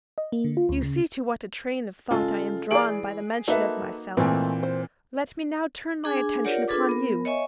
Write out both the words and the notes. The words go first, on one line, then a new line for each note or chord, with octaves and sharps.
'You see to what a train of thought I am drawn by the mention of myself. Let me now turn my attention upon you.
D#5
A#3
D3
F4
D2
C#3
C#3 G#3 F4 A4
E3 G#4 D5 D7 F#7
A#3 D#4 F#4 A4 B4 E5
A#2 E3 G#3 A3 C4
C5
D4 G#4 G#5
F4 G4 A#4 C#5 D5 F#5
D4 F4 G#4 A4 B4 D6
B3 A#4
C#5 D#5 E5 G#5 C#6